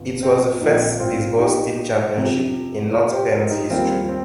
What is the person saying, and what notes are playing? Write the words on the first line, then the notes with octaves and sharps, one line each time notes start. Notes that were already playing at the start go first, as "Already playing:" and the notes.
It was the first baseball state championship in North Penn's History.
Already playing: G1 F2
C4
A#1 A#2 F3 C4 D#4
C4 F4
D#4 G4
F2 C3 F3
F4 A#4
G4 C5
F4 A#4
D#4 G4
D#2 D#3 G3 A#3 C4 F4
C4